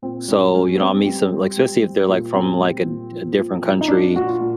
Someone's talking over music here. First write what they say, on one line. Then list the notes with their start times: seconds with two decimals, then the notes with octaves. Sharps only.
so, you know, I meet some Like, especially if they're, like, from, like, a d a different country,
0.02 A#2 C4
0.28 G3 C#4
0.54 G3 C#4
0.75 B3
0.79 G3 C4
1.06 G3
1.31 G3
1.57 G3
1.83 G3
2.09 A#2
2.34 G3 C4
2.60 G3
2.85 A#2
3.12 F3
3.37 A#2
3.63 F3
3.81 D#4
3.88 F3 D4
4.15 A#2 F#4
4.27 F4
4.40 A#2